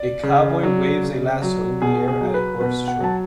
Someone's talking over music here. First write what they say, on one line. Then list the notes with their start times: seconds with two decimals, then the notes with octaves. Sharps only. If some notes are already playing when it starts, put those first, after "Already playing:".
A cowboy waves a lasso in the air at a horse show.
Already playing: D5
0.23 C#3
0.63 F#3
1.03 C#3
1.42 F#3
1.82 B2 G#4
2.08 G#4
2.21 F#3
2.34 B4
2.61 B2 B4
2.88 F#5
3.01 F#3 A5